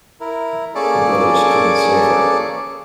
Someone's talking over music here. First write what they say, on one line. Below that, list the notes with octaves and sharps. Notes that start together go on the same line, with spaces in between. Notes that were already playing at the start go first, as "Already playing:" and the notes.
The brothers couldn't save her.
E4 A#4
A#3 C#4 G#4 A4 D5 D6